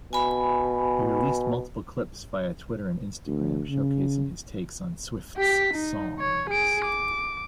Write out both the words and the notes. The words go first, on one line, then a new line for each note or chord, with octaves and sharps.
He released multiple clips via Twitter and Instagram showcasing his takes on Swift's songs.
B2 G#5 B5
D2
C#3
G4 B6
D#4
C#5
G#4 D7
D6